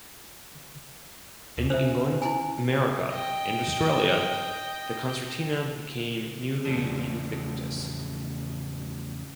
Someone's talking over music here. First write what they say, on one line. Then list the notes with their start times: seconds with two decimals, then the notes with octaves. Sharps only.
In England, America, and Australia the concertina became nearly ubiquitous.
1.58 D#2
1.70 C#4 C5 E5
2.22 E4 G#5
3.11 D#5 G5
6.65 E2 A2 C#3 F3 D4